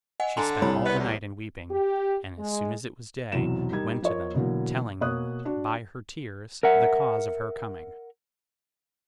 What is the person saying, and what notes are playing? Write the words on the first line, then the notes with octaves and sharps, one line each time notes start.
She spent all the night in weeping; and, as soon as it was day, went to them, telling them, by her tears, the cause of her coming.
D#5 F#5 G#5
D3 G#5 A#5 C6
C2 G3 C#5 B5
B3 D5 E5
E2
G4
G#3
B1 E2 C3 E3 F#3 E7
G3 D#4 A#4 G#6
F3 A#4 C#5 D#5
B2 D3 E3 F#3 A#3
B2 A#3 C#5 D#6 F#6
D4 F#4
A#4 E5 F#5